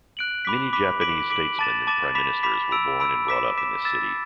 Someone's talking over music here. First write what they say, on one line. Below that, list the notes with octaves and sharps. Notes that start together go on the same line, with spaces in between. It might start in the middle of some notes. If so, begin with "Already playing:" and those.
Many Japanese statesmen and Prime Ministers were born and brought up in this city.
F#6 D7 F#7
B5 D6 B6
B5 D6 B6
D6 B6 D7 F#7
D6 B6 D7 F#7
A5 D6 A6 E7
A5 D6 A6 E7
B5 D6 B6 E7
B5 D6 B6 E7
B5 E6 D7
B5 E6 D7
D6 B6 E7
D6 B6 E7
E6 A6 E7